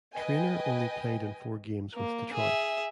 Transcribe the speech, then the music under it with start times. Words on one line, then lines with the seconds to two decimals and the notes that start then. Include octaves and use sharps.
Treanor only played in four games with Detroit.
0.14 B4 D#5 G5 G#5
1.94 A#3
2.34 G#4 E5